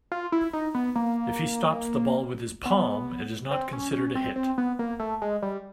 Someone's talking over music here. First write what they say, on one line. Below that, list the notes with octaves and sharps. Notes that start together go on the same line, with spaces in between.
If he stops the ball with his palm, it is not considered a hit.
F4
E4
D#4
B3
A#3
B3
C4
C#4
C#4
C4
C4
B3
A#3
A3
G#3
G3